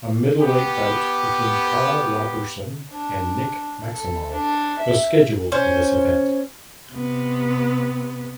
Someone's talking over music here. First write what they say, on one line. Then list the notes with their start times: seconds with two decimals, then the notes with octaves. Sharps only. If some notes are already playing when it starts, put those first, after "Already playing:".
A middleweight bout between Karl Roberson and Nick Maximov was scheduled for this event.
0.39 B3 G4
2.91 D4
3.92 A4
4.32 D4
4.80 E5
5.52 C#4 C5
6.92 C3 B3